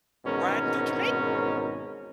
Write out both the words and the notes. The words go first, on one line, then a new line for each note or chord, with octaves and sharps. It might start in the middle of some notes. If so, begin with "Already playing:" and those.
riding through Jamai
G#1 E2 G#2 B2 C#4 A#4